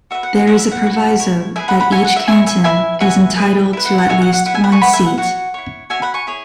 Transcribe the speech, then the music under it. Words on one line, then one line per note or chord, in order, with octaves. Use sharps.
There is a proviso that each canton is entitled to at least one seat.
F#4 B4 E5
F#5
F#5
E4 C#5 F#5
E5
F#5
F#4 B4
E4 C#5
E4 G#4 B4 E5 G#5
F#5 B5
F#5 B5
F#4 C#5 E5 G#5
F#5
E5
E4 C#5 E5 G#5
E5 G#5
E4 B4 E5 G#5
F#4 B4 E5 G#5
E4 G#4 B4
E4 B4
F#5
F#5
F#4 C#5 E5 G#5
F#5
F#5
E4 B4 F#5
E5 G#5
F#5 B5
G#5 C#6
E4 B4 F#5 B5
E5 G#5
F#5
F#4 C#5 F#5
E4 C#5
F#4 C#5 E5 G#5
F#5 B5
G#5 C#6
E4 G#4 C#5